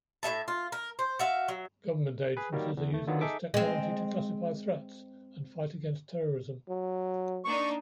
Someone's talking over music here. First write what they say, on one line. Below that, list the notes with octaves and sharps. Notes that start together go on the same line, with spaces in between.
Government agencies are using this technology to classify threats and fight against terrorism.
A2 C#3 E5 A5
F4
A#4
C5
F#4 E5 F5
F#3
G#4 B4
D#3 F#3 G3 A#3
E2
A3
D3 D#3 F#3 B3 F4
D#4 G#4 A4 E5 D6
G#3 C4
F#3
A#3 D4 D#4 C#6